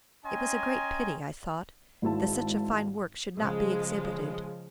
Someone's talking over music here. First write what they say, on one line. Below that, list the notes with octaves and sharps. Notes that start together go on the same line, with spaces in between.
It was a great pity, I thought, that such a fine work should not be exhibited.
C#4 D#5 G5 G#5 A#5 C6
G#1 G#2 E4 A5
C#3 F3 G#3